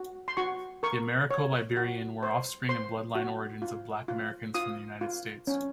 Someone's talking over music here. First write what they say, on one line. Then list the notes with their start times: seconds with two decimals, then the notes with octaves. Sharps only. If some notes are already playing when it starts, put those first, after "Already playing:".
The Americo-Liberian were offspring and bloodline origins of black Americans from the United States.
Already playing: F#4
0.28 C6
0.37 F#4 C#6
0.83 A#4 C#6
1.31 C#5
1.77 F#4
2.23 C5
2.69 C5 C6
3.15 F#4
3.62 F4
4.08 F4
4.54 F4 D#6
5.01 F4
5.47 C#4